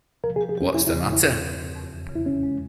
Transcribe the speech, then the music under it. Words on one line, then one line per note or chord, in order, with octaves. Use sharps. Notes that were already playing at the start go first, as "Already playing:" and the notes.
What’s the matter?
F3 A#4
G#4
G4
G#4
C#4 G4
E2 E4
E4
C#3
E2 E4
C4
G2
C4
F2
E3
C#3
E4
C3 C#4
G#3